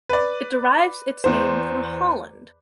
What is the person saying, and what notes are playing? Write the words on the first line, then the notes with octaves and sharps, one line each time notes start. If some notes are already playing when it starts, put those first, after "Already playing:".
It derives its name from Holland.
B4 D5
E2 C5